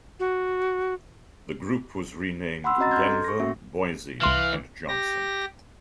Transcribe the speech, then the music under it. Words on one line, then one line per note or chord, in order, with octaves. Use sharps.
The group was renamed Denver, Boise and Johnson.
F#4
F#5 B5 C6 E6
C4 C#4 F#4 D#5 A#5 A6
C6 F6 G6 G#6
A4
C#6 A#6
A#3 C#4 F#4 E5
C2 E3 F5 C6 E7
G4 A#6